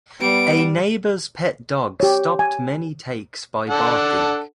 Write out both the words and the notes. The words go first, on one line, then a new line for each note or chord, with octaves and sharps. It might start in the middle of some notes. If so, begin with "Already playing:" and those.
A neighbor's pet dog stopped many takes by barking.
G3 B3 D7
G4 C#5
G#5
D4 A4 F#5